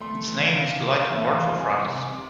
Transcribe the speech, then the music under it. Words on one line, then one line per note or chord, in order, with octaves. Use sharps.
Its name is the Latin word for France.
A3 C6
E3
C3 F5
C3
E3 E5
F5
E3
F5
C4 G#5
D6
C3
D6
C4 D6